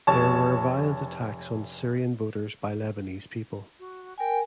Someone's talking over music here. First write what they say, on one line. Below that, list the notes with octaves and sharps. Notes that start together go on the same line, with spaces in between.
There were violent attacks on Syrian voters by Lebanese people.
F1 C#5 A5
F#4
A#4 G5 G#5